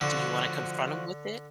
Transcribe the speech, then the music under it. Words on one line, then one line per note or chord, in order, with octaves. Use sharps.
Do you wanna confront him with it?
D3 F3 F#4